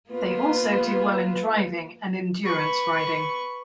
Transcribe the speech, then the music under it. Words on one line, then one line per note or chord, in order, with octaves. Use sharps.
They also do well in driving and endurance riding.
A#3 B3 F4 B4
B4 C#6